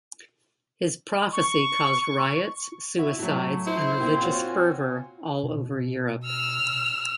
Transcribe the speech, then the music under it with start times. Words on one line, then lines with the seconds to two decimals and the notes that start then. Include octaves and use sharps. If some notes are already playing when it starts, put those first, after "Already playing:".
His "prophecy" caused riots, suicides, and religious fervour all over Europe.
1.33 C#6
2.99 E4 F#4
3.19 A2 F#3 F#4
3.67 E4 C5
4.00 A#2 C4
4.21 F4 F#4 C#5
4.48 G#5
5.43 B2
6.25 E6 F6